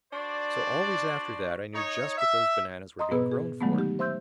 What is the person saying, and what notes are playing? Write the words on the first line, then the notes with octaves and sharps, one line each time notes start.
So always after that I knew just what those bananas were being grown for.
D4 F#4 C5 D5
D#4 C#5
E5
D#5 A#5 C6 D#6
G#2 B2 B3 G#4 B4 E6
G#4
D3 D#3 F#3 G#3 A3 B3
D#4 G4
C5 E5 C6 E6 G6